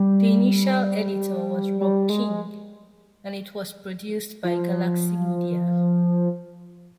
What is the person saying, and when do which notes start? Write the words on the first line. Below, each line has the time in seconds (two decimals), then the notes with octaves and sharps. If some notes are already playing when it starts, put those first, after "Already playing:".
The initial editor was Rob King and it was produced by Galaxy Media.
Already playing: G3
1.81 G3
2.10 G#3
4.44 F3